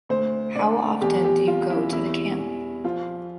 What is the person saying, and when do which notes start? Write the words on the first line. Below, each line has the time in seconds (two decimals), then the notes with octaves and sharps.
How often do you go to the camp?
0.09 D2 C5
0.55 D3 D5
1.01 E2 G4
1.25 G4
1.47 G3 F4
1.70 E4
1.92 E2 E4
2.39 E2
2.84 F3 F4